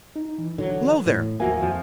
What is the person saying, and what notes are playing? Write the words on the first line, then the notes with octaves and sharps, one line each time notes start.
Below there!
D#4
E3
D3 F#3
A2
D#2 F3 A#3 F#4 E5 G#5
F2 F3